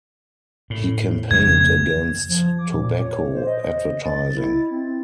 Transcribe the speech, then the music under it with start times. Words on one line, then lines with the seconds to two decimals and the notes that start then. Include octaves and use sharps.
He campaigned against tobacco advertising.
0.70 A2
1.31 F2 C#3 A#3 G#6
2.28 F3
2.58 D6
2.73 A#2
3.02 C#5
3.34 C5
3.47 D#5
4.05 A6
4.37 E4
4.70 C4